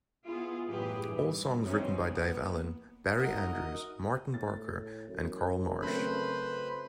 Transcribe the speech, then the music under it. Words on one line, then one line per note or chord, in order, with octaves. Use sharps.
All songs written by Dave Allen, Barry Andrews, Martyn Barker and Carl Marsh.
B3 E4 F4 G#4
F#2 A2 E3 G4 G#4 B4
G2 E3
F#2 E3 C4 C#4 D#4
A#3 B3
G#2 D#4 F#4 A#4 D#5 E5
A2 A6
F#2
C#3 A3 C4 B4 C5 B5